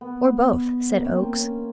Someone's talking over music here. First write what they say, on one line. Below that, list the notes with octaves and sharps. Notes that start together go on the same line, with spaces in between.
"Or both," said Oakes.
B3
A#3
C#4
C4
C#4